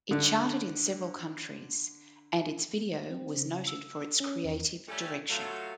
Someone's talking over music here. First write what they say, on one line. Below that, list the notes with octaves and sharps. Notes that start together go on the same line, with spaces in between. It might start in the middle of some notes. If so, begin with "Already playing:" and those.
It charted in several countries and its video was noted for its creative direction.
D3 D4
C4
C#3
E6
C#4
E2
G3 A3 C#4
F#3 A3 F4